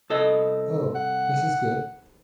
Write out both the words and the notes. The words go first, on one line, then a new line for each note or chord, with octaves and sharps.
Oh! This is good.
C2 A4 D#5
F#5